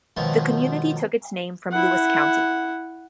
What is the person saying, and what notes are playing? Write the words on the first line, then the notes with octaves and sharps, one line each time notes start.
The community took its name from Lewis County.
G#2 B2 D#3 F3 F#3
E4 F#5